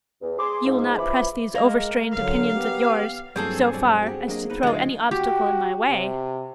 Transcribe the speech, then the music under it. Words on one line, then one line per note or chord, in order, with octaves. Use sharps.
'You will not press these overstrained opinions of yours, so far, as to throw any obstacle in my way?'
E2
G#4 C6 D6
G#2 F3
C#3 E3 F3 E4 B5 D6
G#3 A#3 A#4
D3 F#3 F5
B3 G4
G2 F#3 A#3 C4 G#4 A4
B2 F#3 D5
F#4 G4
F#3 A#3 D4 D#5
B3 D#4 B4
D1 G#3 D4 F4 F#4 A4
F#4 G4
C3